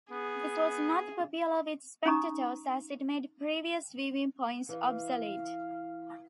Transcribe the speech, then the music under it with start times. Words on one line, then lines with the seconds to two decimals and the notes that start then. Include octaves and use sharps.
This was not popular with spectators as it made previous viewing points obsolete.
0.11 B3 G#4
2.05 C#4 D#4 A#5 C#6 D#6
4.69 E3 F5